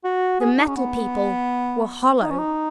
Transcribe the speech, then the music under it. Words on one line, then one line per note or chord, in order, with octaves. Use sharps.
The Metal People were hollow!
F#4
G#4
D#4
C#4
B3
D#4
C#4
D#4